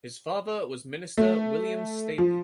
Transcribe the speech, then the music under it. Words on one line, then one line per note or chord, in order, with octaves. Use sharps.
His father was minister William Staley.
A3
F3